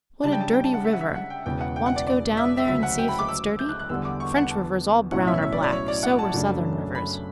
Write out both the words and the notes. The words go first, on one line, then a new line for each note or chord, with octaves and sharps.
What a dirty river--want to go down there and see if it's dirty--French rivers all brown or black, so were Southern rivers.
C#3 G3 D4 A5
G5
A5
G5
A5
F#5
E5
F#5
E5
F#5
G5
E1 E2 C#3 G5
F#5
G5
F#5
D5
D5
E5
E5
D2 C#3 F#3 E5
F#5
G5
B5
D6
E6
G6
F#6
F#6
E2 D3 G3 B3 E6
D6
C#6
F#5
A5
B1 A2 F#3 C#4 E4 F#5
E5
E5
D5
D5
C#5
D5
F#5
A5
F#2 C#3 F#3 A3 D4
B5